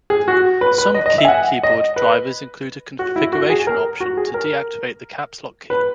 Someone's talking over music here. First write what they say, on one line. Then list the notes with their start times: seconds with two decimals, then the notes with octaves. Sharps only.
Some keyboard drivers include a configuration option to deactivate the Caps Lock key.
0.10 G#4
0.28 F#4
0.61 B4
0.78 B4
0.94 D#5
1.06 D#5
1.18 E5
1.25 G#5
1.28 F#5
1.63 D#5
1.96 B4
2.99 F#4
3.16 E4
3.32 F#4
3.50 G#4
3.67 A#4
4.00 F#4
4.17 G#4
4.34 A#4
5.70 B4